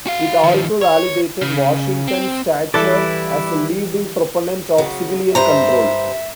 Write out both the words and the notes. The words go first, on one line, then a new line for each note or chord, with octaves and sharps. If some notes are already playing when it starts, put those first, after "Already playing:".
It also validated Washington's stature as a leading proponent of civilian control.
F#4 F5
D#3 F3
C#5
C#3
C4
E3 G3 E4 A4 B4 D5
C#3 F#3
G2 C5 E5 A#5